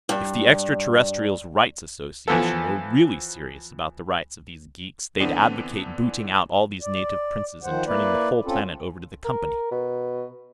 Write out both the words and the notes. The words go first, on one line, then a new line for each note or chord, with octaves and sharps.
If the Extraterrestrial's Rights Association were really serious about the rights of these geeks, they'd advocate booting out all these native princes and turning the whole planet over to the Company.
G2
E3 F3 B3 A4
D3 E3 B3 C4 D4
D5
D#3 F3 C5 F#5
A#3 E4 B4 D5
C4 C#4 F4 A4
A#4
B2